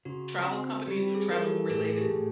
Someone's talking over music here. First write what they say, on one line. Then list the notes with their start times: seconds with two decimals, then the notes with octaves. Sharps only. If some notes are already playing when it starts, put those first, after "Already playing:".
travel companies or travel-related?
0.05 C#3 F#4
0.47 C4
0.87 G3 G4
1.15 G#4
1.28 E3 A#4
1.42 G4 A4
1.70 A2 G#4 A#4
1.90 G#4
1.97 G4 A4
2.11 A2